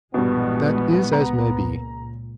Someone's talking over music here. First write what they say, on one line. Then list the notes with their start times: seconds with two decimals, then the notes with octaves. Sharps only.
"That is as may be."
0.14 A#1 G2 B2 E3 G#3 B3
1.13 C#2 A#2 A#5